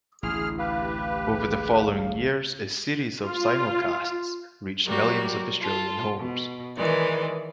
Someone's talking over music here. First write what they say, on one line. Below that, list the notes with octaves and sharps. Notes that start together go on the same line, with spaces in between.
Over the following years a series of simulcasts reached millions of Australian homes.
A1 D2 E4 G#4 F6
G4 B4 F5
G#4
F4
F#3 G3 A#3 F#4
F4 A4
B2
D#3 E3 G#3 D5